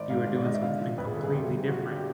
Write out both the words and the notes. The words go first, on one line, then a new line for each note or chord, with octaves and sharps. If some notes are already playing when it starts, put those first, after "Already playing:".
you were doing something completely different,
Already playing: G#1 D5
G#2 F5
G#2
D5
G#2 D#5
E5
D3 F5
F3 E5
F2 B4
G#4
G1 A4
G#4
G1 G4
G1
F3 F#4
D3 G4
G4